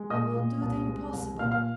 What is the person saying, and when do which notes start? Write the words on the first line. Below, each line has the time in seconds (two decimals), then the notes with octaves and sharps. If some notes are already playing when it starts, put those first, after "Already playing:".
I will do the impossible.
Already playing: G#3
0.10 A#2 D#5 D#6
0.36 A#2
0.62 C2
0.87 G#3
1.13 C2
1.39 A#2 F5 F6
1.51 F5 F6